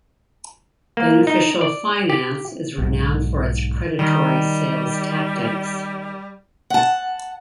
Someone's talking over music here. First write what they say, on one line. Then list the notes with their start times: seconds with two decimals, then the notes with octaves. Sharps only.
Beneficial Finance is renowned for its predatory sales tactics.
0.97 A#3
1.27 D#4
1.61 D5
2.10 G4
2.78 B1 G#2
3.99 D#3 G3
6.70 F#5 A5